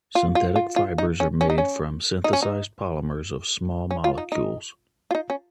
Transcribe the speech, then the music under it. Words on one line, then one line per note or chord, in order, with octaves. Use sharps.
Synthetic fibers are made from synthesized polymers of small molecules.
F4
F4
F4
F4
D#4
C#4
C#4
D#4
C#4
D#4
C#4
D#4
C#4
F4
D#4
D#4
F4
D#4
C#4